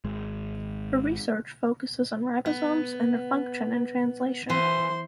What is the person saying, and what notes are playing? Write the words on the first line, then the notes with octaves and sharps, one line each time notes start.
Her research focuses on ribosomes and their function in translation.
G#1 G#3
B3
E3 C5 C6